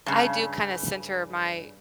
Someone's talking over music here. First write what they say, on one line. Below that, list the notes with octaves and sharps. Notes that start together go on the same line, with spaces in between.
I do kinda center my
G2 C#3